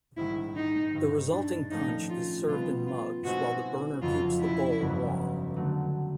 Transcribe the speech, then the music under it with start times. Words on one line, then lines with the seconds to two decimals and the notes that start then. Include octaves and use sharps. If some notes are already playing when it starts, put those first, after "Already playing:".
The resulting punch is served in mugs while the burner keeps the bowl warm.
0.17 A#1 G#2 D#3 G3 E4
0.56 D#4
0.94 G2 D#3 G3
1.32 D4
1.71 A2 F3 A3 C#4 D#4
2.10 F4
2.48 B2 G3 B3 F4
2.87 F4
3.24 B2 G#3 C4 D#4 F#4 G#4
4.02 F2 C#3 F#3 F4
4.40 E4
4.79 G1 F2 C#3 F#3 B3
5.56 D3 F#3 A3